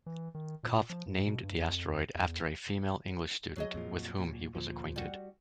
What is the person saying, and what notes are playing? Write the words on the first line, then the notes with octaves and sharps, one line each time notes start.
Kopff named the asteroid after a female English student with whom he was acquainted.
E3
D#3
A#2
F3
G2
B2
G2
F2
E2
F#3 G#4 D#5
F2 A#2 F3
A#2
D2 A#2 F3
G3 F#4